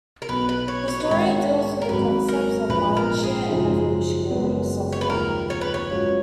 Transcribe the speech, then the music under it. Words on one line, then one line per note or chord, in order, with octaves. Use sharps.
The story deals with the concepts of mindshare and evolutionary software.
A#4
B1 B2 F#3 B3 B4
B4
C#5
C#5
B4
G#2 D#3 G#3 C#5
A#4
G#1 G#2 F#3 B4
A#4
A#1 G#2 F3 A#3 B4
A#4
G#4
F#2 C#3 F3 G#3 D#4
F#1 F#2 C#3 G#3 B3
C#5
B4
D#2 C#3 F3 G#3 D#4 A#4
C#5
B4
C#5
G#2 F#3 C#4 F4